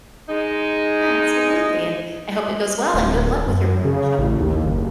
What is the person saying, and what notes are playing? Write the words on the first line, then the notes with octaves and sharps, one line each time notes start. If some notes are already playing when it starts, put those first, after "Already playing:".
Yeah, absolutely, and I hope it goes well and good luck with your barbershop opening.
G#3 D#4
D1
F#2
C#3
A1
D#2
F#1